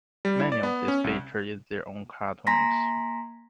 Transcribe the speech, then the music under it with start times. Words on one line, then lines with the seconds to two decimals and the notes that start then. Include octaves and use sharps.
Many of these feature in their own cartoons.
0.25 G3
0.40 E4
0.52 D5
0.63 B3
0.88 C#4
1.04 C2
2.47 A#3 G#5 A#5 C6 A#6 B6